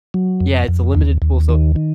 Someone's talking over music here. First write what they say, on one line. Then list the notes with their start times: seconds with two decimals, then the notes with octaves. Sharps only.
Yeah, it's a limited pool, so
0.14 F#3
0.40 F2
0.68 F2
0.95 D#2
1.22 D#2
1.49 D#3
1.76 D#3